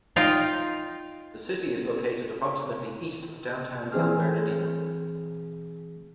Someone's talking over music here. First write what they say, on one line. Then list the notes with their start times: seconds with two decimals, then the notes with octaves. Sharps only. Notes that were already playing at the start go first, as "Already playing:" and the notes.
The city is located approximately east of downtown San Bernardino.
0.16 D#4 F4 F5 G5
3.92 E3 C4 G#4 F6